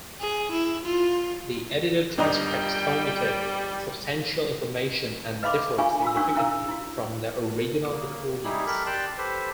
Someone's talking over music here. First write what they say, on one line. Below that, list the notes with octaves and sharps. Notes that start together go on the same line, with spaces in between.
The edited transcripts omitted substantial information and differed significantly from the original recordings.
G#4
E4
F4
G1 G3 D4 D#5 G5 A#5
B4 D#5 F5 B5 C6 D6
D4 F4 F5 G#5 C#6
F4 F#4 E6
C#4 D4 F#4 A#4 C#6
C#4 E4 F5 A#5 E6
E4 F#4
C#3 A#3
G3 D#4 E4 G4 G#4
G4 A4 A#4 B5
G4 D5 G5 A5 C6 F#6
G4 A4 B4 C5